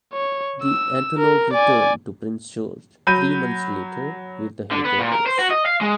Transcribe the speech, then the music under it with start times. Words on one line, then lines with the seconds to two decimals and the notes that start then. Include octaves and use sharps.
The Antonov returned to Prince George three months later with the helicopters.
0.13 C#5
0.62 E6
1.18 A#4
1.53 D5 G#5
3.07 F#3 B5 G6 D#7
4.71 D3
4.85 B3
4.99 A#2
5.12 A#4
5.26 C5
5.39 F#4
5.50 D#5
5.66 F5
5.81 G#3